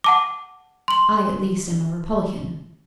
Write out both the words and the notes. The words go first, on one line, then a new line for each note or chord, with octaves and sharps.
"I, at least, am a Republican!"
F#5 A5 D6
C6 F#7